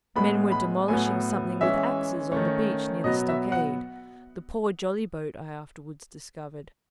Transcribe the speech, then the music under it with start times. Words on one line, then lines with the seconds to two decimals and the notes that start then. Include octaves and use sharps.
Men were demolishing something with axes on the beach near the stockade--the poor jolly-boat, I afterwards discovered.
0.16 A2 G#3 B3 B5
0.52 B5
0.88 A2 F#3 B3 G#5
1.60 E3 G#3 C#4 E5
2.32 D#3 A3 C#4
3.04 B2 F#3 B3 D#5
3.28 E5
3.52 F#5